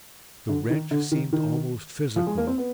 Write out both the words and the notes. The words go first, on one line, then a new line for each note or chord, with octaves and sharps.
The wrench seemed almost physical.
D3
D#3
D3
D#3
D#3
F3
G#3
A#3
C4
B3